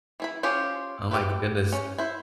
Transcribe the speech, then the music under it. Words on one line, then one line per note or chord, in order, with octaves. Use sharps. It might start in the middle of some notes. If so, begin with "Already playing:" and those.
Oh my goodness.
E3 E4 B5
C#4 F4 G4 G#4 C5
G4 B4
C#4
E4 C5